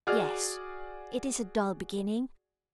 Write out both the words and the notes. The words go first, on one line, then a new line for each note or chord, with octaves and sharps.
'Yes, it is a dull beginning.
F#4 G#4 D5 F6